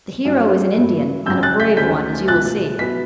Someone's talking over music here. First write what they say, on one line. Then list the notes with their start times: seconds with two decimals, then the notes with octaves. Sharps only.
The hero is an Indian, and a brave one, as you will see.
0.25 G2 F#3 C#4 E4
0.76 G2 F#3 B3 E4
1.26 F#2 C#3 G3 D4 E6 G6
1.43 F#6 A6
1.60 G6 B6
1.77 D2 D3 A3 C#4 G6 B6
2.28 C#2 B2 A3 F#6 A6
2.79 B2 F#3 B3 E4 B6